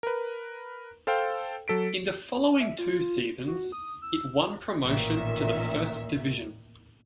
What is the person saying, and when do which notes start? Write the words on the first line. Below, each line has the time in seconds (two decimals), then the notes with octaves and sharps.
In the following two seasons, it won promotion to the first division.
0.03 A#4 B4
1.07 A4 C5 F5 G5
1.68 F#3 A4 B6 D7
2.60 E5
2.79 F4
3.47 F#4
3.72 D#6
4.02 E6
4.83 A1 A#2 D#3 E5